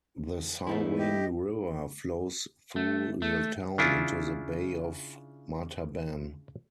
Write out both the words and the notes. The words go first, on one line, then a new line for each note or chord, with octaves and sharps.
The Salween River flows through the town into the Bay of Martaban.
E2 A3 D#4 E4
G4 D#5
A3
A3
C#3 D4 E4 F4